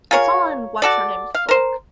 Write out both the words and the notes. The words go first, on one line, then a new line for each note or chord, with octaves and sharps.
It's all in what's-her-name's book.
F4 G#4 A#4 C#5
F#4 A4 D5
F5
A#4 C5